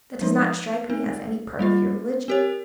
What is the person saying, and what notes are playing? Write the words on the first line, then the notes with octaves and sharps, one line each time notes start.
That does not strike me as any part of your religion.'
F3 G#3 D#4
C4 D#4 A#4
G3 A#3 F4
C4 G4 A#4 C#5